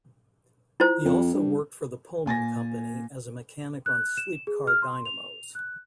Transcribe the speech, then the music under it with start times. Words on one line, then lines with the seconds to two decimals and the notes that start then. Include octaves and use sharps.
He also worked for the Pullman Company as a mechanic on sleep car dynamos.
0.80 E4 F4 C5
1.05 F2
1.34 G2
2.26 A#2 G#5 A6 A#6
3.86 F#6
4.17 E7
4.47 G#4
4.67 F6
4.82 C6
5.05 F7
5.55 F#6